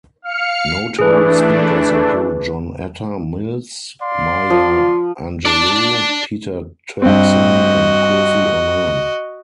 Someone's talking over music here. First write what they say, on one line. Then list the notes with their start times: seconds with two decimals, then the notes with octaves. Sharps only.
Notable speakers include John Atta Mills, Maya Angelou, Peter Turkson and Kofi Annan.
0.22 F5 F6 C#7
0.99 E3 A3 D4 G#4 B4
4.01 D5 F5 C6
4.50 F3
5.45 D4 D5
7.02 G2 C4 F#4 D#5